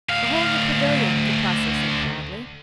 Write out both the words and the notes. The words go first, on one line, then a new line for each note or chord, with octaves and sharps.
'Behold the Pavilion,' Kuprasso said proudly.
D2 F5